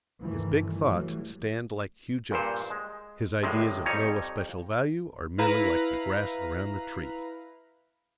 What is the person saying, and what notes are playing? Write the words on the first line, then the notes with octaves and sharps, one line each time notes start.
His big thoughts stand like huge oaks; his ideas of no especial value are merely like the grass around the tree.
G2 C3 D#3 E3 A3
E3 F#3 G3 A3
G2 A#2 C5
G#3
G#1 A2 C3 G#3
F2 G3 D#4 C#5
E4 B4 F5 A#5 B5